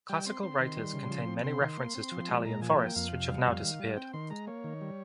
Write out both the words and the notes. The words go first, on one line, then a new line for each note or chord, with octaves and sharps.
Classical writers contain many references to Italian forests which have now disappeared.
G3 G5
C4 C6
C4 C6
D#3
G3
C#3
F3
C4
C3 C6
D#3
A#3
C4
F3
G#3
A#2 A#5
F3 G#5
A#3 G5
F2 F5
C3
G3
D#5
F2 F5
D#3
G3
C4 G5
D#3 C6
G#3 A#5
A#3 C#5
D#3
G3